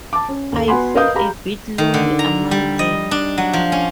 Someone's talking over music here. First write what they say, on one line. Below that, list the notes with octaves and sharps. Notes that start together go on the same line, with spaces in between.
I feel a bit lonely among them.
A5 D6
C#4
D#2 A4
B3 F#4 F#5 G#5 B5 C6
A#4 B4 D#5 F5 D#6 G6
G4 G#4 F5 A#5 B5
D#3
D3
A#5
G3
D#5
D4
F#3
F3
C#4